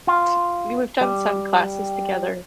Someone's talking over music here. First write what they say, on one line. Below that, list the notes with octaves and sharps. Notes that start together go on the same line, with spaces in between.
t y we've done some classes together.
F4
G3